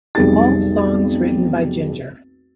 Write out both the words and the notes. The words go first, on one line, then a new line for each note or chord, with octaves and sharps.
All songs written by ginger.
F1 B1 G3 D#4 G#4 A6